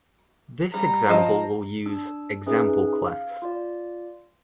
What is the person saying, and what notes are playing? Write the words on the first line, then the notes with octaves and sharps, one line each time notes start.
This example will use "ExampleClass".
G3 A#5
F3 D#5 A5
D4 E6
C#4 D#4 G#4 B4 E5
F5
F4 D5